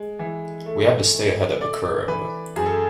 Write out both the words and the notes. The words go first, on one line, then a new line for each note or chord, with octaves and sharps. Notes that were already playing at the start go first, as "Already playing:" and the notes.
We have to stay ahead of the curve.
Already playing: G#3
E3
A3
A3
A3 D5
E3 B4
F#2 G#4
A4